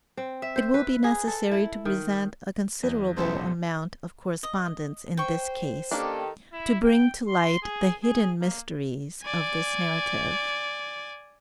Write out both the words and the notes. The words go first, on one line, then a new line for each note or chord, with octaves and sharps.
It will be necessary to present a considerable amount of correspondence in this case, to bring to light the hidden mysteries of this narrative.
C4
E5
C5
B4
G#4
A4
E4
D#3
E2
C#2 F#2 B2 F#3 G4 A4 C5
D#5
C5 G5 C#6
D#3 A#3 C#4 D4 G4 A4
E4
G5
C6
G#4
G#4
A#3
D5 G#5